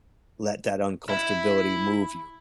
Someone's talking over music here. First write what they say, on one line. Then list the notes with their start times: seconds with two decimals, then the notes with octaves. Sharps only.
let that un-comfortability move you.
1.09 E4